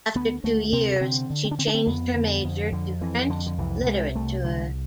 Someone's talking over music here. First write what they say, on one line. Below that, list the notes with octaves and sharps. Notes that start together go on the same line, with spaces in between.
After two years she changed her major to French literature.
D2 B3
D2 A3
C3 C4
D3 C4
D3
C4
D4
D3 C4
D4
C4
F2 B3
D3
F2
F2 D3
F2 E3
F2 D3
D3
C2 E3
C3 G#3
C2 A3
D3 G#3